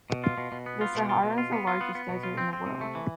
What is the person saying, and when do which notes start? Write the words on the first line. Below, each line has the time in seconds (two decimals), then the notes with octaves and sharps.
The Sahara is the largest desert in the world.
0.10 B2
0.24 F4
0.38 B2
0.52 B2
0.66 B3
0.81 F4
0.95 B2
1.09 F4
1.23 B2
1.38 F4
1.52 B3
1.67 F4
1.81 B3
1.95 B3
2.09 B2
2.23 F4
2.38 C4
2.53 C4
2.66 C3
2.81 A3
2.95 E3